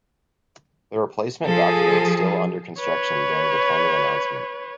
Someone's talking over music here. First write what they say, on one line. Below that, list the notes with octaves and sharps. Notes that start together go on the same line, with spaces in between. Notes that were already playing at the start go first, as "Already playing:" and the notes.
The replacement document still under construction during the time of announcement.
F3 G#4 A4
B4 C#5